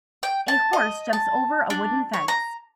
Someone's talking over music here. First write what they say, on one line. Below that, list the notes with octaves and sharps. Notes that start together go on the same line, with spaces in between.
A horse jumps over a wooden fence.
G5
A5
D#5
A5
D4
C#5
A#5